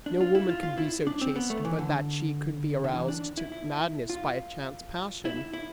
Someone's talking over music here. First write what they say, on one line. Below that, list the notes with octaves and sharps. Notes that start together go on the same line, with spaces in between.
No woman could be so chaste but that she could be roused to madness by a chance passion!
D4
F4
E4
F4
F4
E4
D4
C4
B3
A3
E3
D3
D3
E3
D4
E4
E4
F4
E4
E4